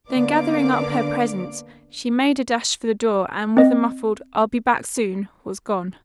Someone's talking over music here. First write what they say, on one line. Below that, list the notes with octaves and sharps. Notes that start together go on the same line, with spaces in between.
Then gathering up her presents she made a dash for the door and with a muffled, "I'll be back soon," was gone.
D3 A#3 B3 D5 F5 D6
C4 D#5